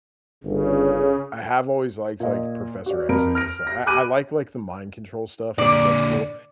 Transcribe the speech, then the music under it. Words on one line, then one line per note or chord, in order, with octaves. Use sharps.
I have always liked like Professor X's, I I like, like the mind control stuff, I think that's cool.
G1 C#3
A#2 D#5
F#4 D5
F2 A#4 B5 D7
F6 A#6 D7
A#6
G#5 B5 D6 F#6 D7 D#7
A#2 D3 D5